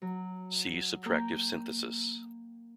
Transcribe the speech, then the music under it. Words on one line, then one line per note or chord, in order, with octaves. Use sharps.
See subtractive synthesis.
F#3
A#3 A#4 G5